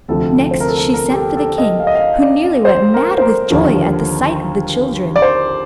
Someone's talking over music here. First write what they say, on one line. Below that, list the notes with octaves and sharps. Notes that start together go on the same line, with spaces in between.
Next she sent for the king, who nearly went mad with joy at the sight of the children.
D2 C3 F3 A4
C5
A#4
A4
A#4
A#4
G4
A4
A4
D#5
F5
D#5
F5
D5
C5
A#4
C5
A#4
D#2 D3 F3
D5
C5